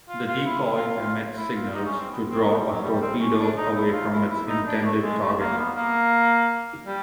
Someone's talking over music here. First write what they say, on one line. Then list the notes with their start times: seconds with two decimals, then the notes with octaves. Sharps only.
The decoy emits signals to draw a torpedo away from its intended target.
0.09 F4
0.27 F4
0.46 E4
0.64 E4
0.76 F4
0.88 F4
1.01 F4
1.37 E4
1.56 F4
1.74 D#4
1.86 C#4
1.98 C4
2.10 B3
2.29 C4
2.47 B3
2.59 G3
2.71 F#3
2.84 G3
3.02 C4
3.20 C#4
3.39 D4
3.57 D#4
3.75 E4
3.93 F4
4.12 E4
4.30 E4
4.48 D#4
4.67 D4
4.85 A3
5.03 G#3
5.22 A3
5.40 A#3
5.58 B3
5.76 A#3
6.86 G3